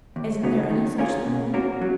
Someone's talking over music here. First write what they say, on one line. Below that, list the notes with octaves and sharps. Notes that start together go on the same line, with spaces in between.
"Isn't there any such thing, then?"
D#2
C#3 F#3 B3 D#4
D#3
A#3 C#4 F4 G#4
B2
A#3 C#4 F#4 A#4
F#3